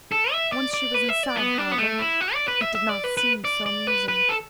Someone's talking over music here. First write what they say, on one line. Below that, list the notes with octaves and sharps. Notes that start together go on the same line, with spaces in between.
Once she was inside, however, it did not seem so amusing.
A4
E5
D5
D5
B4
E5
D5
B3
D4
B3
A3
E4
F#4
D5
B4
E5
E5
D5
B4
B4
D5
D5
B4
B4
A4